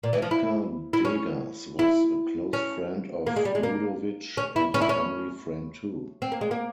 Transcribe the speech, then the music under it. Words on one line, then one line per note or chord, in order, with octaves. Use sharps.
Edgar Degas was a close friend of Ludovic and a family friend too.
A#2
E3
F3
E4
E4
C#4
E4
C#4
A#3
G#3
G3
G#3
A#3
C#4
E4
C#4
E4
C#4
C4
A#3
G#3
A#3